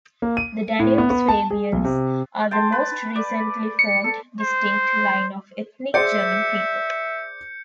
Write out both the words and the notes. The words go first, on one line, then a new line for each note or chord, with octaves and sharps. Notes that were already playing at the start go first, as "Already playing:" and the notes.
The Danube Swabians are the most recently formed distinct line of ethnic German people.
A#3
D#7
A2
B3
B3
A5
G#4
B1
C3
G5 A5 C6
B4
D5
C#7
A4
C5
G#4 C5 D5 E5 G6 C#7